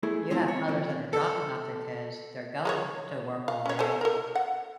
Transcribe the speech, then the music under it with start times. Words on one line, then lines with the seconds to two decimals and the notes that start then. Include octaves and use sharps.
You have mothers that are dropping off their kids, they're going to work all day,
0.03 A3 E4 G#4
0.30 E2 G#3 C4 E4
0.48 C#5
0.69 E3 F3 C4 C#4 F4
1.13 A4
2.65 G#3 A#4 C#5
3.48 F5
3.66 C#4 C#5
3.79 A4 C5 G#5
4.01 A4 A#4
4.35 F#5